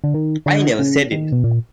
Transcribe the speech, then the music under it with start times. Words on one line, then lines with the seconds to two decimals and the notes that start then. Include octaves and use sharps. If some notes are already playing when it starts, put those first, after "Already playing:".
I never said it.
0.04 D3
0.14 D#3
0.46 D3
0.79 C#3
1.11 D#3
1.32 B2
1.44 A#2